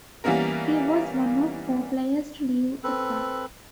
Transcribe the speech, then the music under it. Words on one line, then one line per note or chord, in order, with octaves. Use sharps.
He was one of four players to leave the club.
E3 G3 A#3 B3 C#4 A#4
C4 A4 B4